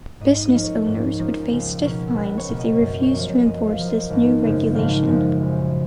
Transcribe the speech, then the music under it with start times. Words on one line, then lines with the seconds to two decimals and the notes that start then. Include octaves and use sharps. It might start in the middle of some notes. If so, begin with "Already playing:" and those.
Business owners would face stiff fines if they refuse to enforce this new regulation.
0.21 G#2 D#5
0.43 D#5
0.54 F3 A#3 C#4
0.64 C#5
0.86 G#2
1.19 F3 A#3 C#4
1.51 C#2
1.83 B2 A#3 C#4
2.15 C#2 B4
2.38 C#5
2.49 B2 A#3 C#4
2.59 D#5
2.72 C#5
2.81 F#2 D#5
3.02 C#5
3.14 F3 A#3
3.24 C#5
3.45 F#2 D#5
3.67 F5
3.78 F3 A#3
3.89 D#5
4.10 G#1
4.43 F#2 C#3 F3 G#3
4.75 G#1 F5
5.07 F#2 C#3 F3 G#3
5.40 A#1